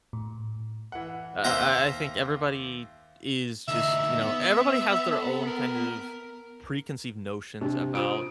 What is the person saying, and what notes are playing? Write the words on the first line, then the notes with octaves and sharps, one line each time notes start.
I I I think everybody, is just you know everybody has their own kind of, preconceived notions about,
A2
E3 F#5
D#2 C5 E5 F5 A#5 E6
D2 D#4 E5
B3
A4
A#4
C3 D4
F4 C5 D#6 D7